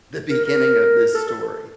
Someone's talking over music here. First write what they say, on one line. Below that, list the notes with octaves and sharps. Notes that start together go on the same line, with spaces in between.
the beginning of this story.
A#4
A#4
A4
A4
A4